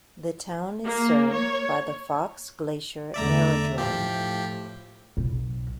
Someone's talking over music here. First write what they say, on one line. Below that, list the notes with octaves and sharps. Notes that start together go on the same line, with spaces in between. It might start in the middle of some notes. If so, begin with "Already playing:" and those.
The town is served by the Fox Glacier Aerodrome.
A#3
C#5
E2 D3 A3 D5 E5 A#5
A2 F3 G4
B1